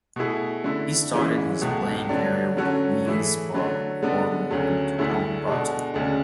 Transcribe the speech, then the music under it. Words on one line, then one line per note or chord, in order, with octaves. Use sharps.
He started his playing career with Queen's Park before moving to Dumbarton.
B2 A3 E4 G#4
D3 A3 E4
E3 G#3 C#4 E4 G#4
C#2 B2 A3
D3 F#3 A3 D4
D3 F#3 C#4 F#4 A4
E3 A3 E4 G#4
D3 F#3 A3
D3 G#3 B3 D4
D2 C#3 F#3 A3
D2 D3 A3 E4 G#4
B2 G#3 D4 A4
D2 C#3 G#3 D4